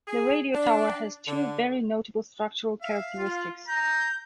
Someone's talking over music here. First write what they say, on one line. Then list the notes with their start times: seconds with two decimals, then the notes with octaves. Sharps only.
The radio tower has two very notable structural characteristics.
0.08 G#4
0.54 D4
1.28 D3
2.82 E5 F5
3.18 F4
3.68 A#5 G6